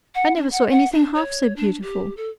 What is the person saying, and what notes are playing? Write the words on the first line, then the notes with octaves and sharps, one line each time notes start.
I never saw anything half so beautiful!
F#5
D4
F#5
F#5
D4
C#5
D4
G4
A4